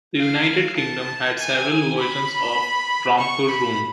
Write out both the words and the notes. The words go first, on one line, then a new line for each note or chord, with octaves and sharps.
The United Kingdom had several versions of "Romper Room".
F5
A5
G#5
B5
C#6
B5